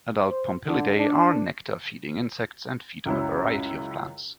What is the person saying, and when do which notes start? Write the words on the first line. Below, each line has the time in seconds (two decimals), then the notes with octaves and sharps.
Adult Pompilidae are nectar-feeding insects and feed on a variety of plants.
0.26 C5
0.66 D3
0.97 D4
3.06 C#2 F#2 C#4 E4